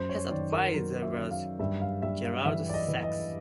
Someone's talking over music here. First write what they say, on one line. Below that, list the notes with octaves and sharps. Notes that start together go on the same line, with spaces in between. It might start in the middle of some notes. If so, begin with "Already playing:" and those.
His advisor was Gerald Sacks.
Already playing: F#2 C5
C#5
D#3 D5
A#4
F#3 A#4
E5
D#3
F5
G2 E5
F5
G2 E5
F5
E3 E5
D5
D#5
E3
D#5